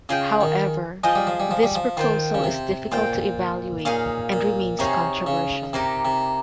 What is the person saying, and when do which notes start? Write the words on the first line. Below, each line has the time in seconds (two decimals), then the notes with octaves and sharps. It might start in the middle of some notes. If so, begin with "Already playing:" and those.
However, this proposal is difficult to evaluate, and remains controversial.
0.09 C#3 F4 G#4 D#5 G5
0.41 D#3
1.03 F3 F4 G#4 D#5 G5
1.15 G3
1.27 F3
1.40 G3
1.51 F3
1.63 G3
1.75 F3
1.97 D#3 F4 C5 G5
2.34 C#3
2.44 C3
2.91 A#2 F4 C5 G5
3.85 A#2 D#4 G#4 C#5 F5
4.32 A#2
4.79 C3 D#4 G#4 C#5 F5
5.27 C#3
5.73 C3 A#3 D#4 G4
6.05 C3